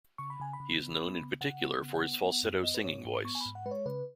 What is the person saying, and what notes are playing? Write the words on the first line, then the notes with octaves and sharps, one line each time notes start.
He is known in particular for his falsetto singing voice.
C#3 C#6
B5
C#3 G#5
B5
C#3
B3
B3
C#3
C#3 F#5
B3
C#3
B3
B3
F#2
B3 D#5
B4
G#2 C#5
G#2
B3 C#6
G#5
B5
G#2
F#5
G#3 B4
C#5
C#3 B4